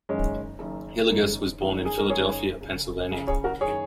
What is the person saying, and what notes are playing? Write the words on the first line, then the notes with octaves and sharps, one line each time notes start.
Hillegas was born in Philadelphia, Pennsylvania.
F#1 F#2 D#3 G#3 C#4
F#1 F#2 D#3
F#1 F#2 D#3
F#1 F#2 D#3
G#4
A#4
F#1 F#2 D#3 G#4 C#5
C#2 C#3
C#2 C#3
G#4 C#5
F#4 A#4
F#1 D#3 G#4 C#5